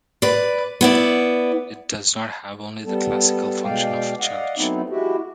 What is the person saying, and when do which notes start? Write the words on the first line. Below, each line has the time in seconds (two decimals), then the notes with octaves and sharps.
It does not have only the classical function of a church.
0.22 B4 D5
0.81 B3 E4 D5
2.85 G3 B3 A4
3.65 B2 G#3 D5 F5 G5
4.20 D5 D#5 F5 F#5
4.56 F#3 A3 B3 C4 D#4 E4
4.90 G#3 E4 F#4 G4